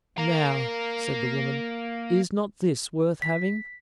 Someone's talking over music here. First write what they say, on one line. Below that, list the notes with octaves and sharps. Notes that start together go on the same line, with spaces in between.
"Now," said the woman, "is not this worth having?"
A#3 A#4
B6